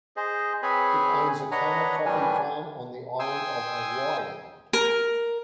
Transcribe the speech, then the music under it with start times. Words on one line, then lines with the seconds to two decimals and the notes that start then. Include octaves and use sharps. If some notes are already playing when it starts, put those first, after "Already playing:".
It owns a Kona coffee farm on the island of Hawaii.
0.17 G#4 C5 D#5
0.62 C4 G#4 B4 C#5 G#5 B5
1.51 D4 B4 C#5 D#5 F#5 A#5
2.05 A2 D#3 E3 G3 D4 G#5
3.19 G5 G#5 C6 D#6 E6
4.73 A#4